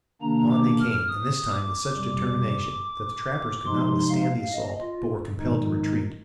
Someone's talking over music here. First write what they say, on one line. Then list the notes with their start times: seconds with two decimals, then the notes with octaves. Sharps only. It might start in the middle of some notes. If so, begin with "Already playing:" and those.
On they came, and this time with such determination that the trappers could not withstand the assault, but were compelled to retreat.
0.21 C3 D#3 A#3 D4 A#5
0.51 D6
0.79 F6
1.07 D#6
1.51 D6
1.94 F2 C3 G3
3.66 C3 F3 G#3 D#4 C6
4.10 F5
4.52 D#5
4.81 F4
5.38 G#2 D#3 G#3 D#4